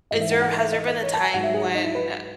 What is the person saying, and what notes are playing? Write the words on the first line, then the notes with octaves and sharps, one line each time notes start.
is there has there been a time when, uh,
G#2 E3 D#5
E5
F#5
F#5
E5
D#5
D#5
C#5
A5
G#5
G#2 F#3 F#5
E5
G#4
F#4
D#4
E4
B4